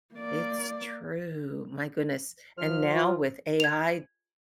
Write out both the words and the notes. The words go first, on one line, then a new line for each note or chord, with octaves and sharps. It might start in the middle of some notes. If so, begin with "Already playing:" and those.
it's true, my goodness, and now with AI
A#3 D5
F3 F6
F4
G#6 F7